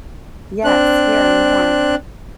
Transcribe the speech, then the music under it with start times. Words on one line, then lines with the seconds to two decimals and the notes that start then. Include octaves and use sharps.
Yes, here are more!
0.64 C4 D4 F#6